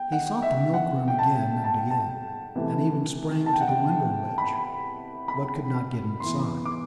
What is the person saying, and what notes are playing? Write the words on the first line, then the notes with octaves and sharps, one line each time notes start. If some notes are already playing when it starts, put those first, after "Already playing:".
He sought the milk-room again and again, and even sprang to the window-ledge, but could not get inside.
Already playing: G5
F#5
E5
F#5
G5
A5
A5
G5
A5
C3 E3 A3
A5
G5
F#5
G5
B5
B5
E3 B3 C6
D6